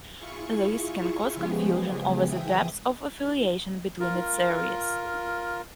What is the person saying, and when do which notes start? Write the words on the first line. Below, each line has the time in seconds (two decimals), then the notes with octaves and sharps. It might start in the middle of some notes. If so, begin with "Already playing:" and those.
This can cause confusion over the depth of affiliation between its areas.
0.18 E4 F4 G#4 C#6
1.34 C#3 F3 G#3 B3 G4 G#4
2.26 E3 F3 G#4 E5 G5 D#6
4.00 F4 A#4